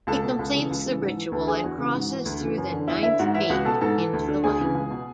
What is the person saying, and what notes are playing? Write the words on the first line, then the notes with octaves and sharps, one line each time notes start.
He completes the ritual and crosses through the Ninth Gate into the light.
C#2 A4 A5
B2
C#2
C#3 E3
C#2
C#3 E3
G#2
E3
D2 A4 A5
D3 G#4 G#5
E2 F#4 F#5
C#3 E3
G#2
E3
D2
C#3 E3
F#2
D3
E2 E4 E5
D3 E4 E5
G#2 F#4 F#5
E3 E4 E5
C#2 F#4 F#5
B2 A4 A5
G#2 A4 A5
E3
D2
D3
D2 G#4 G#5
C#3 E3
C#2
B2